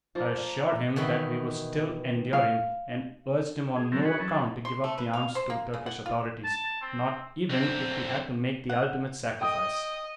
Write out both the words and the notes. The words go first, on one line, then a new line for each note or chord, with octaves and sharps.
I assured him that we were still enduring, and urged him on no account to give up the arms to the Turkish authorities--not even if we had to make the ultimate sacrifice.
F3 A#3 F4
B2 D#3 E3 B5
F5
G#4
E3 F#3 C4 A4 A#4
F#4 G#4 B4 C#5
F#3 C#4 A4
C6
A3
B4
F5
C5
A#3
C#3
F#5
F4
A5
C4
D3 C4
F#5
D#5 G5 D#6